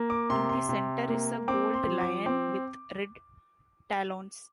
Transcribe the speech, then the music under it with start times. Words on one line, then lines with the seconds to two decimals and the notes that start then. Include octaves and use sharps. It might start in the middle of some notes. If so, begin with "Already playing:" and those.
In the center is a gold lion with red talons.
Already playing: A#3
0.10 D6
0.30 C3 C6
0.49 C6
0.69 C3
1.08 A#3
1.48 C4 D6
1.74 C6
1.86 F3
2.01 D6
2.26 C4 D6